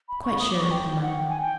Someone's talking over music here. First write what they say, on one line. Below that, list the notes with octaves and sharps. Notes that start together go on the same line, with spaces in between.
"Quite sure," I murmured.
B5
C#6
D#6
D6
C#6
G5
F#5
G5
G#5
G5